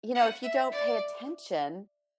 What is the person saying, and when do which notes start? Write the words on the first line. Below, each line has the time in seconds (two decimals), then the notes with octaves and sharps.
you know, if you don't pay attention,
0.15 F#5
0.43 E5
0.72 D5